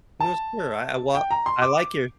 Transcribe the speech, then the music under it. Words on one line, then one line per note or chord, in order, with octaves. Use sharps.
No, sure. I I well, I like your
A5
G5
A#5
C6
D6